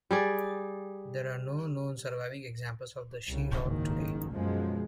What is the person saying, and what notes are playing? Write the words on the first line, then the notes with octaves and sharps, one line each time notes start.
There are no known surviving examples of the Seahawk today.
G3 G#4 D5
C2 C#3
F#1 G#2 D#3
F#2 B2 F3 G#3